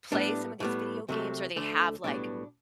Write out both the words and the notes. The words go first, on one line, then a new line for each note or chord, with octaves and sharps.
play some of these video games, or they have, like,
A2 G3 B3 D4
A2 G3 B3
C2 C3 F#3 A3
D2 D3 A3
B1 A2 G3 B3 D4